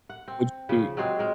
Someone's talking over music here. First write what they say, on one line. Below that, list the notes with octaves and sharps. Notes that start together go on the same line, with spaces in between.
Would you
F#5
C4
C#3 F3
F#3 G#3 C4 G#4
G#3 A#4